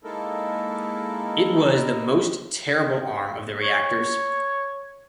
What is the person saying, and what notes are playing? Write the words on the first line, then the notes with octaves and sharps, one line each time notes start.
It was the most terrible arm of the reactors.
G#3 A#3 D#4 E4 A4 A#4
C#5